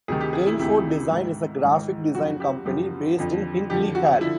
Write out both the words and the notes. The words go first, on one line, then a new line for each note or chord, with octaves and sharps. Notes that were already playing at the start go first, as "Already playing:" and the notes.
Gainford Design is a graphic design company based in Hindley Hall.
D2 C3 D#3 G#4
G4
G#4
E4
D2 C3 D#3 E4
G#2 D#3
G#2 D#3
F#2 C#3 F3 F#4
G4
F#2 C#3 F3 G4
F2 D3 F3
F2 D3 F3 G4
F#4
D3 F3 E4